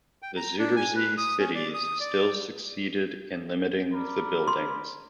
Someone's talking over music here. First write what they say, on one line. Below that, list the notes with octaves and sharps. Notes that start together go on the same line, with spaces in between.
The Zuiderzee cities still succeeded in limiting the buildings.
G5
A#5
D4
G#5
B4
D#6
C#4
D5
D#6
D5
A#4 D5 B5
C6